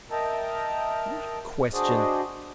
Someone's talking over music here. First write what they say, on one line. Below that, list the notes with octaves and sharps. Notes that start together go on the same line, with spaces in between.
"What a question!"
A#4 D#5 E5 G5 A5 A#5
D4 F#4 G#4 C5 D5 D#5